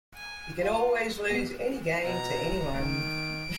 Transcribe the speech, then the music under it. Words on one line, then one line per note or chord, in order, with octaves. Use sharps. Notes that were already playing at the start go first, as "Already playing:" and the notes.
You can always lose any game, to anyone.
G#5
F4
A#2 B3
B2 A#5
D#3 D7